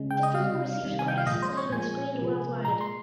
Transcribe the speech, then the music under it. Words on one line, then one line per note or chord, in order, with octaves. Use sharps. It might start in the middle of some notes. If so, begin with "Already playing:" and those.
The film received critics acclaim and screened worldwide.
Already playing: C#3 G#3
G5
D#5
C3 G3 F5
C3 D#3 G3
G#5
G5
F5
A#2 F3 G#3 D#5
C5
C#5
A#2 F3 G#3 G#5
C3 F3 G#3
A#2 G#3 A#5
C6